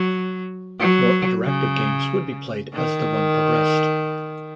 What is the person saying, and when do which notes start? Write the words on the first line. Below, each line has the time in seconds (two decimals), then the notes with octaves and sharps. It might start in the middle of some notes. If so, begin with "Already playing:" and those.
More interactive games would be played as the run progressed.
Already playing: F#3
0.80 F#3
1.44 C#3
2.73 D#3